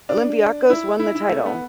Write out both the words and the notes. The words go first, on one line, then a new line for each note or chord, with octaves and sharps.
Olympiacos won the title.
D4
E4
E4
E4
A3
B3